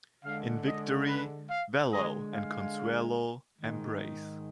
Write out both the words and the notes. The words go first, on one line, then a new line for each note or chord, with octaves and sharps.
In victory Vallo and Consuelo embrace.
D3 G#3 F5
D#5
B4
F5
D3 G#3 D#5
F5
G#2 D#3 G#3